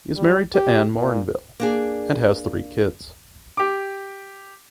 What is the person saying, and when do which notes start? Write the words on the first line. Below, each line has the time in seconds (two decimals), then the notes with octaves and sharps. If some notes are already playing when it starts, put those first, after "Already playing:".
He is married to Anne Morinville and has three kids.
0.16 G3
0.54 G4
0.96 A#2
1.60 A#3 D4 G#4
3.57 G4 D6